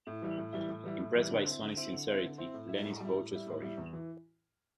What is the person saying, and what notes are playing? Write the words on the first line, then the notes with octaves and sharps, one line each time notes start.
Impressed by Sonny's sincerity, Lenny vouches for him.
A2
E3 G3 E4
A2
E3 G3 E4
A2
E3 G3 E4
A2
E3 G3 E4
D3
C4 E4
D3
C4 E4
D3
C4 E4
D3
C4 E4
A2
G3 E4
A2
G3 E4
A2
G3 E4
A2
G3 E4
E2
E3